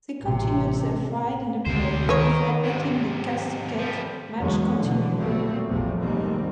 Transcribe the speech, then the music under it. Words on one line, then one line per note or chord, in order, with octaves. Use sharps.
They continued their fight in the crowd, before letting the casket match continue.
A1 C3
D2 C3 G3 G#3 C5
D#3 A#4 B4 C#5 D#5
G#2 C3
F3 G3
E2 D3 F#3 G#3 C#4
B2 D3 E3 F3
A#2 F#3 G3 A3 B3 C4
A1 E2 C3 F3 G3
D#2 G#2 D#3 G3 A3 C4